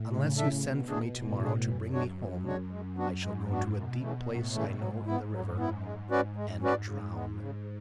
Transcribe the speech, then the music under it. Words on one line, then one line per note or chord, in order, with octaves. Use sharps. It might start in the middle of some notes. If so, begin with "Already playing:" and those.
Unless you send for me to-morrow to bring me home I shall go to a deep place I know in the river and drown.
Already playing: A2
C#3 G#3
D4 A4 E5
E2 B2
D3 A3 D4 G#4
E2 A2
D3 A3 D4 G#4
F#2 E3
G#3 D4 F#4 C#5
E3
G#3 D4 F#4 C#5
G#3
B3 D4 F#4
G#2 G#3
B3 D4 F#4
F#2 B2
C#3 E3 A3
F#2 A2
C#3 E3 A3
G#2 F#3
B3 E4
F#2 F#3
B3 E4
G#2 G#3
C#4 F#4 B4 D5
G#3
C#4 F#4 B4 D5
C#3
G#3 B3
C#3